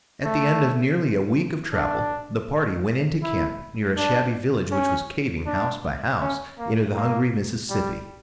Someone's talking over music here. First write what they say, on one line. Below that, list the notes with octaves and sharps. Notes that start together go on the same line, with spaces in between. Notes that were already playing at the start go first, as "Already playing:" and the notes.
At the end of nearly a week of travel, the party went into camp near a shabby village which was caving, house by house, into the hungry Mississippi.
A3
D4
E4
D4
C#4
D4
C#4
A#3
A#3
G3